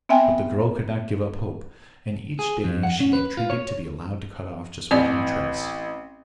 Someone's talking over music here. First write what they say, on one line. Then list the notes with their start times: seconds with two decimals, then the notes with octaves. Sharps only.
But the girl could not give up hope, and each day she entreated to be allowed to cut off just one tress.
0.09 B3 C4 E5 G5 G#5
2.39 G#4
2.64 F2
2.83 F#5
3.00 C#4
3.13 B4
3.37 F4
3.50 C#5
4.91 A1 C4 D5